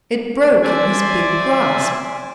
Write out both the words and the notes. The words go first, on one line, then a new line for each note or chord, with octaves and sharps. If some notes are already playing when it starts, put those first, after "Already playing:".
It broke in his big grasp.
C5 D5 E5 G#5